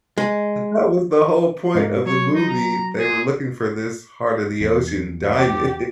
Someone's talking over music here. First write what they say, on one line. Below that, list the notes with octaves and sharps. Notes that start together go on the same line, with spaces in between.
that was the whole point of the movie. They were looking for this heart of the ocean diamond
G#3
G#2 A#3
F#3 C#5
D#4
A#5
G#4
E2
G4 D6